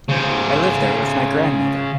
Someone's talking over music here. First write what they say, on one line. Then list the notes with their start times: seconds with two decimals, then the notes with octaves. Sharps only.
I live there with my grandmother.
0.09 C#3 C5